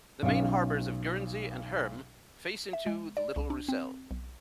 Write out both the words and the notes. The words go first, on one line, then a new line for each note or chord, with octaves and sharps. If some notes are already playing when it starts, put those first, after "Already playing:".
The main harbours of Guernsey and Herm face into the Little Roussel.
B1 C#4 F5
E5
G#3
D5
C2
D4
C4
B1